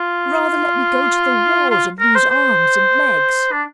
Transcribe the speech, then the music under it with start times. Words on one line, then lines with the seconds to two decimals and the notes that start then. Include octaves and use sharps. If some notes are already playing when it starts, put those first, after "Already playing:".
Rather let me go to the wars and lose arms and legs!
Already playing: F4
1.70 F4
2.00 A#4
2.15 C5
2.30 C5
3.52 D4